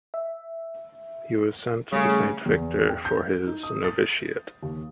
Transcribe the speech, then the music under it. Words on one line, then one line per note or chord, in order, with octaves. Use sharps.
He was sent to Saint Victor for his novitiate.
E5
C#3 G3 A3
E2
G5
G6
D#4
D#6
A6
D#2